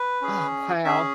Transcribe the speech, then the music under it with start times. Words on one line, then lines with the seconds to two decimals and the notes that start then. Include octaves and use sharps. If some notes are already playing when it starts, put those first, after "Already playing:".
Oh, wow.
Already playing: B4
0.22 C#4 G#4
0.84 C#4 G#4 E5